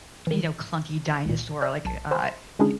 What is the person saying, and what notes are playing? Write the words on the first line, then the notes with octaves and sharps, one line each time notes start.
you know, clunky dinosaur, like, uh, uh, y
D#3 E3
C#2 A#2
D5 G#5 F6 G6
B1 A5
C5 G5 G#5 B5 C6 E6
D3 G#3 C#4 D4 E4 G#4